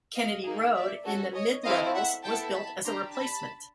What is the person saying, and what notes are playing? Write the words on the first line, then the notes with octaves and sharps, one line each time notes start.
Kennedy Road in the Mid-Levels was built as a replacement.
D#5 F5
A#3 D#4 G#4
D5 E5
C#4 F#4 A4
C#5 D#5
A3 C4 E4 A4 D#5 F5
E5 F#5
B3 E4 A4 G5 A5
A5 B5
D4 G4 A#5 C6
A5 B5